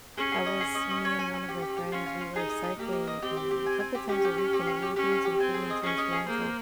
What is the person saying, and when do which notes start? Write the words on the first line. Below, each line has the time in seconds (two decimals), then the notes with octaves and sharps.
I was me and one of my friends, we were cycling, um, a couple times a week, and we were doing some pretty intense runs. Like,
0.17 C#4 G#4
0.32 G#4
0.46 D#5
0.60 G#4
0.75 D#5
0.90 D#5
1.05 C#5
1.19 G#5
1.34 G#5
1.48 G4
1.62 G4
1.77 G4
1.92 C#4 F4
2.06 F4
2.21 F4
2.35 D#4 G#4
2.49 D#5
2.64 D#5
2.79 A#3 G4
2.93 D#5
3.07 D#5
3.22 C4 G4
3.37 G4
3.51 G4
3.66 G#5
3.80 G#5
3.95 G4
4.09 C#4 G4
4.25 G4
4.38 G4
4.53 G4
4.67 F5
4.82 G4
4.96 C#4 G4
5.12 F5
5.25 G4
5.40 C4 G#5
5.54 G#4
5.70 D#5
5.83 C#4 G#4
5.98 D#5
6.13 G#4
6.27 A#3 C5
6.42 C5